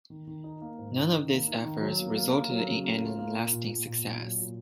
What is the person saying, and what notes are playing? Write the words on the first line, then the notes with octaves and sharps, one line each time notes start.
None of these efforts resulted in any lasting success.
D#3
D#3
D#4
A#3
G#2
D#4
D#3
A#3
D#4
D#3
F#3
A#3
A#3
A#3
F#3
C#3
A#3
F4
A#3
A#2
A#2
A#2
A#2
A#2
F#3
A#2